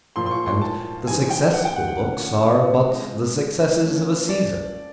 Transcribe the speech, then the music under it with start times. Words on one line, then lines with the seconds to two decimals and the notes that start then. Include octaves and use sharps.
And the successful books are but the successes of a season.
0.16 A#2 F3 A#3 C6
0.26 C6
0.31 C#6
0.46 C6
0.62 A5
1.07 E3 G3 C4 D#4 G#5
1.30 G5
1.53 F#5
1.65 G5
1.76 F#5
1.88 F#5
1.99 D3 F3 A3 C#4 F#5
2.22 F#5
2.45 F5
2.68 E5
2.91 C#3 F3 G#3 C4 D#5
3.83 F3 A3 C#4
4.29 D5